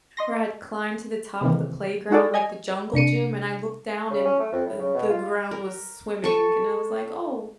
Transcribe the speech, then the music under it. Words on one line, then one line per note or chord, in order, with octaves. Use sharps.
where I had climbed to the top of the playground, like, the jungle gym, and I looked down, and, uh, the ground was swimming and I was, like, "Oh,
D#5 C6 A#6
C3 D#3 E3 A#3
G#3 D#4 F#4 A4 D5
D#5 G#5 G#6
C3 D4 C#7 D#7
C#3
C#4
A3
F2
A2
C#3
B2
F4
A#4
A4 C#6